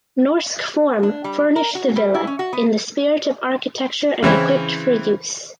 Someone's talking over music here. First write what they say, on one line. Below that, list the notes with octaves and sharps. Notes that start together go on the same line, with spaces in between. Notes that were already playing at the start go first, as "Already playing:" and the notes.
Norsk Form furnished the villa in "the spirit of architecture and equipped for use".
D4
G3
A#4
F#4
G3
E4
C#4
F#4
B3
C#3 E3 C4 E4